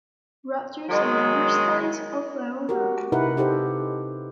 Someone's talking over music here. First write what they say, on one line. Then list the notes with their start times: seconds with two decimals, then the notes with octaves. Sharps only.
Rodgers and Hammerstein's Oklahoma!
0.88 D#3 F#3 G#3
2.69 F#4 G4 A#4
3.12 C3 D#4 E4 A#4 B4 F#5
3.37 D#4 G4 A4 C5